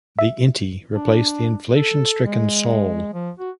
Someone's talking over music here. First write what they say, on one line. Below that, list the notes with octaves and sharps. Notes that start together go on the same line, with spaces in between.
The inti replaced the inflation-stricken sol.
E5
D4
A4
G#3
F3
F#4